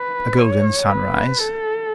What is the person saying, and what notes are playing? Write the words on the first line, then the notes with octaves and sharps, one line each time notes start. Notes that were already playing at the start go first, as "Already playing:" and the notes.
A golden sunrise.
Already playing: B4
C#5
B4
A4